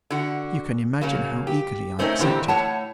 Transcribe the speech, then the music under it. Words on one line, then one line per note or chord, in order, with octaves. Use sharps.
You can imagine how eagerly I accepted.
D3 F#4
C#3 F#3 A#3
G4
A3 C4 C#4 D#4 A#4
A#2 D3 E3 C4 G4
A2 C#5 F#5 A5